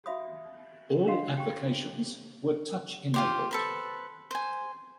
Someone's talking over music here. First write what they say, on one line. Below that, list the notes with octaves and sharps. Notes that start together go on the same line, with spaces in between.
All applications were touch-enabled.
F#4 G4 E5 F5 B5 D#6
D4 A#4 D#5 F5 F#5 C6
G4 G5
F4 G4 C5
A4 B4 C5
C5 G#5